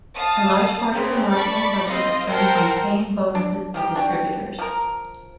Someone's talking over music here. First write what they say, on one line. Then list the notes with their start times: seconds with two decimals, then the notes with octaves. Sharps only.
A large part of the marketing budget is spent on paying bonuses to distributors.
0.16 F5 A5 D#6
0.93 C#3 B3 C4
1.31 D5 A5 B5 C#6 A6
1.86 C4 F4 D#5
2.26 A#4 C5 F#5 G5 A5 A#5
3.35 D4
3.74 F3 A#3 G4
3.96 D4 F#4 G5
4.59 F3 A#4